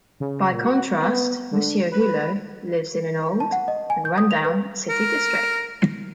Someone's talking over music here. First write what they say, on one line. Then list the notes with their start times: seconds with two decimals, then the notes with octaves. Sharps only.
By contrast, Monsieur Hulot lives in an old and run-down city district.
0.20 C#3
0.52 A#2
0.65 F#4
0.92 B3
1.52 D3
1.92 B4
3.40 A5
3.52 F#5
3.68 D#5
3.90 G#5
4.05 G6
4.18 D#6
4.31 F7
4.45 B4
4.89 A#4